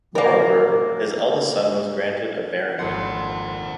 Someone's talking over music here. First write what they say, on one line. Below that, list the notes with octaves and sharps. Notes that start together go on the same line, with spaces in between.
Moreover, his eldest son was granted a barony.
A#3 A#4
G#1 F2 A#2 D4 C5 F#5 C6 C7